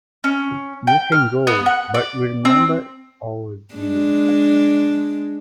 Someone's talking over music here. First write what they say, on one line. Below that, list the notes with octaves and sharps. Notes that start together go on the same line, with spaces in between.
You can go, but remember our deal.
C#4
G5
F6
B3
F#5
D5
C4
G#3 D4